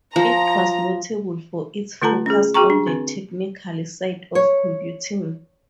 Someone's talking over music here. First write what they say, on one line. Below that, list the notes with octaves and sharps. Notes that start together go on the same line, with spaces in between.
It was notable for its focus on the technical side of computing.
F3 A#5
D3 A3 F4 A4 A5 A#5
C#4 G#4
F#4 G#4 G5 A#5 C#6
D4
D3 C4
C#5